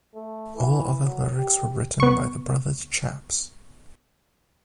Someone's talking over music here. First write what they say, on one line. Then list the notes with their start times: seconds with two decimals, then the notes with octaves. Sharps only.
All other lyrics were written by The Brothers Chaps.
0.15 A3
0.56 E3
1.04 F#3
1.37 G4
2.00 B3 C#6